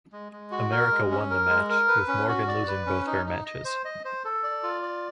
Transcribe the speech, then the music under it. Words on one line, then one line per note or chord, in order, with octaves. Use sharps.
America won the match with Morgan losing both her matches.
G#3
G#3
F#4
A#4
G#3
C#4
A#4
G#3
A#4
B4
C#4
F#4
D5
B4
C#4
D#4
D#4
D#5
C5
D#5
C5
A4
D5
F4
D5